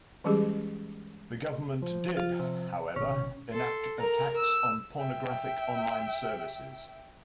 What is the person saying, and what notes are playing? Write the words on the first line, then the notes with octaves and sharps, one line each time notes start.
The government did however enact a tax on pornographic online services.
E3 G3 G#3 C#4 G4 G#4
F3
F4
C3
G#1 B2 C#4
A4 C6
A#4 A#5
E6
E5 G5